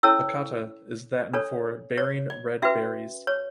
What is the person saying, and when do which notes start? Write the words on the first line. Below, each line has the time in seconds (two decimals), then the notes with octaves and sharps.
"Baccata" is Latin for "bearing red berries".
0.03 C#4 E4 A4 C#5 E6
1.34 D4 A4 C#5
1.98 C#5
2.30 D5
2.62 C#4 F#4 B4 E5
3.27 C#5